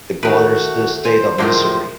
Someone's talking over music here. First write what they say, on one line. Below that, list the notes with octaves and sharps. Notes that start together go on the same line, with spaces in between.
It borders the state of Missouri.
D#3 A3 F#4 B4
C5 G#5
A2 D3 F3 F#3 G#3 A#3 C5